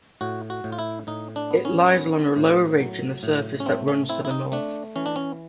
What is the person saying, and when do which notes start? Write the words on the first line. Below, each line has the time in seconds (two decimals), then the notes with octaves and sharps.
It lies along a low ridge in the surface that runs to the north.
0.21 A2 F#4
0.50 F#4
0.64 A2
0.72 F4
0.79 E4
1.07 A2 D#4
1.36 D4
1.51 B3
1.65 C#4
1.93 B3
2.36 A2
2.80 F#3
3.23 A2
3.60 C#4
3.66 A3 C4
3.88 C#4
4.09 C4 E4
4.25 E4
4.31 D#4
4.52 A3 D4
4.96 E3 C#4
5.06 D4
5.16 C#4